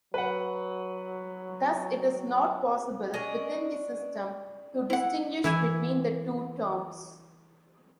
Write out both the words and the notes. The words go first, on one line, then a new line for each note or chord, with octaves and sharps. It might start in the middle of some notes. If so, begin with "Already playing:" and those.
Thus it is not possible, within the system, to distinguish between the two terms.
F#3 B4 F#5
C#4 D4 D#5
E4 F#5
E3 E4 G#5